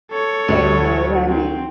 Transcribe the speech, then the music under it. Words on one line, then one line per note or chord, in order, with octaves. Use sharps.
Don't know any.
A4 C#5
D2
C4